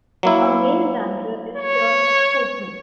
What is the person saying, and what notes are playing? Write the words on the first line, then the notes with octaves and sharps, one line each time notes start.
A male dancer is termed "Koothan".
F#3 A#3 E4
C#5